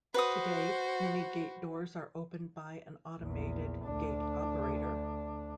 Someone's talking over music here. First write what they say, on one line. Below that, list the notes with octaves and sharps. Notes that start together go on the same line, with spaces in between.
Today, many gate doors are opened by an automated gate operator.
F#4 B4 C5 D#6
A#1 E2
D2 D4